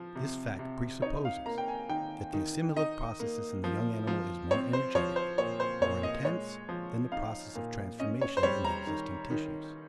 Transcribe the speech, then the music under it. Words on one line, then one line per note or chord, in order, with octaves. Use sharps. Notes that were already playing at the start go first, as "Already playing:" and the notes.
This fact presupposes, that the assimilative process in the young animal is more energetic, more intense, than the process of transformation in the existing tissues.
Already playing: F3
C3
C3
D#4 C#5
F5
A#3 A#5
G5
G#5
D#3 G5
D#3
D#4 D#5
A#3
F3
F3
C4 C#5
C5
F3 C#5
C5
A#2 C#5
C5
A#2 C#5
D#5
G#3 C#5
F3
D#4 F5
A#2
C#4 D#5
C#5
C5
G3 C#5
A#5
D#3
D#3